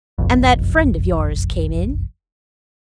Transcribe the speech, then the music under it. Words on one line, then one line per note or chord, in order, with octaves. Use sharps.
"And that friend of yours came in?"
F#1 B1 F2